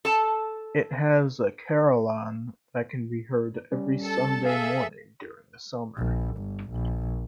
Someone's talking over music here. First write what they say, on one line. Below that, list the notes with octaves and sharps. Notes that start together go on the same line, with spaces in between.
It has a carillon that can be heard every Sunday morning during the summer.
A4 A5
G3 C#4
A4 A5
G#4 A4 E5 F5
A#1
G1
A#1